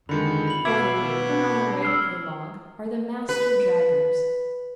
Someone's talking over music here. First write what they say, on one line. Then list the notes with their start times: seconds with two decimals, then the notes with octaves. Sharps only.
Over here on the right of the log are the Master Draggers.
0.09 F2 D3 D#3 G#3 B5 C#7
0.48 B5 F#7
0.65 B2 E5 F5 D6 G#6 D7 E7
0.94 B2
1.30 C4 D4
1.82 E6 F6 C7
3.29 B4